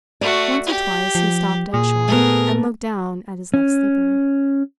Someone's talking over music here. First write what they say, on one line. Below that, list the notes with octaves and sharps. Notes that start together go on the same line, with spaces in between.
Once or twice he stopped dead short and looked down at his left slipper.
A3 F#4 D5
G4
F3
A#2 G#4
A3 B3 A#4
C#4